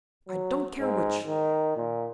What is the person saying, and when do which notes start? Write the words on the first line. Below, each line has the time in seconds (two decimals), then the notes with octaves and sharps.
I don't care which.
0.28 F#3
0.79 G#2
1.27 D#3
1.76 A#2